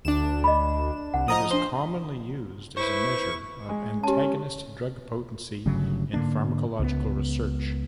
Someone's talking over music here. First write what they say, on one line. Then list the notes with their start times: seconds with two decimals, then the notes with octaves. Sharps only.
It is commonly used as a measure of antagonist drug potency in pharmacological research.
0.05 D2 D4 E7
0.44 D#5 B5
1.14 C2 F#5
1.28 F3 D#5 A#5 D#6
1.51 D4 C5 G7
2.77 E4 B4 C5 C#6
3.69 G#3
4.04 C#4 G4 A5
5.66 G1 C#3 F#3 A3
6.14 G#2 D3 A#3 D4
6.79 C#2 B3